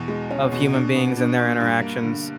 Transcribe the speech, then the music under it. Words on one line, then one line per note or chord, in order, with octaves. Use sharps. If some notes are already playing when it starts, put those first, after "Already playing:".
of human beings and their interactions.
Already playing: E2 B2
G#3
C#4
B2
D4
B3
D4
D4
G2
A#3
D3